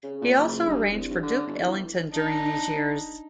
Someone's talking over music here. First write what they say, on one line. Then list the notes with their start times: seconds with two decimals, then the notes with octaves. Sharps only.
He also arranged for Duke Ellington during these years.
0.03 C#3
0.21 A#2
0.37 F#1
0.66 G2
0.92 C2
1.10 G2
1.22 D3
1.47 G1
1.62 E3
2.11 D4 D#4